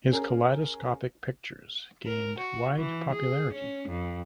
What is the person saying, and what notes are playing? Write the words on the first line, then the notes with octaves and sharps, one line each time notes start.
His kaleidoscopic pictures gained wide popularity.
C#4 G#4 A#4
A#4
F#4
E3
G#4
C#4
F2